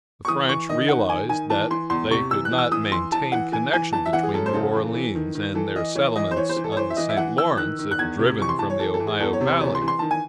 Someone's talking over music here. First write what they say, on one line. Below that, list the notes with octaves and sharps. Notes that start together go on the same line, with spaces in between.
The French realized that they could not maintain connection between New Orleans and their settlements on the St. Lawrence, if driven from the Ohio valley.
C#6
E3 D#6
E3 C#6
D#3 D#5
D#3 F#5
D#3 G#5
D#3 G#5
E3 A5
E3 C6
E2 C6
C3 C#6
E3 E6
F#6
E3
E6
E3 D#6
E3 C6
E3 A5
E3 F#5
E3 G#5
E3 G#5
E3 A5
E5
E3 F#5
G#4
F#2 A4
C5
C#3 A4
E3
E3
D#3
D#3
E3 A4
E3 D#5
E3 C#5
E3 D#5
C5
E3 C#5
C5
E3
A4
C#5
E3 C5
E5
E3 D#5
E5
E3 F#5
E3 E6
D#3 F#6
D#3
F#6
E2 G#6
C3
E3 C#6
C6
E3 A5
C#5
E3 A4
A4
E3
G#4
E2 A4
C#5
C3
C5
E3 C#5
C6
E3
C6
D#3 A5
G#5